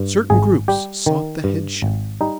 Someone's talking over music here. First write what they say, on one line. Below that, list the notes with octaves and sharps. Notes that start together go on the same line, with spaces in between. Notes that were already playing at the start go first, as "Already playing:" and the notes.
Certain groups sought the headship.
Already playing: G2
G#1 G#4
G3 G4
D#3
G2
G#1
G3 D#4